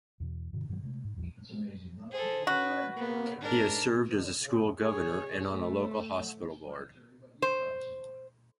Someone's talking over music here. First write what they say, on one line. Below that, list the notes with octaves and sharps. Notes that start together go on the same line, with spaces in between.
He has served as a school governor, and on a local hospital board.
E2 B2 E3
G2 B2 D3 F3
G2 D#3 F#3 G#3
C3 G#3 A3
G#2
A1 E2 F3 G3
G#4 A4 C5
C#4 F#4 B4
A#3 B3
G#2 D4 A#4
G#4 C#5
A3
C5